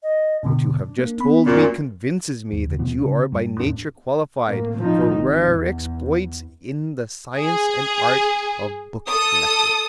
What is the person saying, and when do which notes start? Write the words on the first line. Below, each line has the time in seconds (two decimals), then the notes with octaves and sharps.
What you have just told me convinces me that you are by nature qualified for rare exploits in the science and art of book-collecting.
0.03 D#5
0.43 G#2 B2 D3 D4
0.98 A#3
1.20 B3 B5
1.46 F#2 A#2
2.52 D#2
2.66 D#2 D3
2.79 D2 G#2 B2 E3
2.99 C#3
3.32 G2
3.60 E2 A2 C#4 D4
4.46 A2 A#3
4.78 F3 D#4
5.17 G#1
5.53 E2
7.38 G#4
9.09 A4 D#6